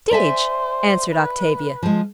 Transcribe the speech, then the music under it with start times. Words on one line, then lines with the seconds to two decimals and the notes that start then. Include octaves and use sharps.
"Stage," answered Octavia.
0.11 C5 D5 E5 G#5
1.12 B4
1.83 F3 G#3